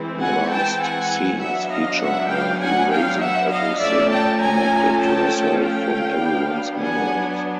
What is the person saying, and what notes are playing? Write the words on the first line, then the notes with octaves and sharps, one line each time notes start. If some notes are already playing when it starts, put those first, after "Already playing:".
The last scenes feature her erasing everything connected to herself from everyone's memories.
Already playing: E3 G#3 C4
F#5 G#5
G5 A5
F#5 G#5
F#3 B3 D4 E5 F#5
D#5 F5
E5 F#5
F5 G5
F#5 G#5
F5 G5
E5 F#5
D#5 F5
F3 A3 C#4 D5 E5
G5 A5
G#5 A#5
G5 A5
F5 G5
F#3 B3 D4
F#5 G#5